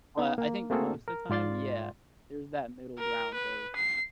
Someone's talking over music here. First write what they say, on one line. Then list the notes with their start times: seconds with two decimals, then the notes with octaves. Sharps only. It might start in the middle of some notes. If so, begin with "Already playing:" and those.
but I think most the time, yeah, there's that middle ground of
0.17 B3 D#4
0.38 A#3
0.70 A3 A#3 C4 F#4 G#4 A4
1.08 A#4
1.30 G#2 F4 D5 C6 A6
2.98 A#4
3.35 B4
3.76 C7